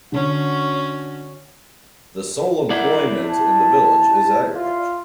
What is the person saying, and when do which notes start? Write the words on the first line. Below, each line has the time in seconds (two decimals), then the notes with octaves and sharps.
The sole employment in the village is agriculture.
0.12 D3 C#4 F#4
2.70 G3 E4 A#4 D5 F#5
3.23 A5
4.54 F4